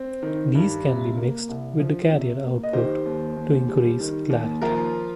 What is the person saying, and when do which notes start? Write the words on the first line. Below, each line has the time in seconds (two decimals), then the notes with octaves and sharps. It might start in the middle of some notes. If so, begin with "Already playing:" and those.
These can be mixed with the carrier output to increase clarity.
Already playing: C4
0.23 D#3
0.55 G2
0.85 C3
1.17 A#3
1.49 C2
1.80 F3
2.12 C3
2.43 A#3
2.63 D#5
2.73 D#3 G4 C5
3.06 D#2
3.37 D#2
3.69 G3
4.00 D#3
4.30 D#2
4.62 F3 F4 A#4